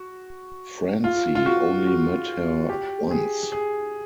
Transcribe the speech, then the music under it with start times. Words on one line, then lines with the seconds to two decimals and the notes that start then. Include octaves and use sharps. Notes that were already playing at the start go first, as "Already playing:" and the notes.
Francie only met her once.
Already playing: F#4
1.04 F4
1.35 F4
1.46 F#4
1.87 F#4
2.69 G4
3.11 G#4
3.52 G#4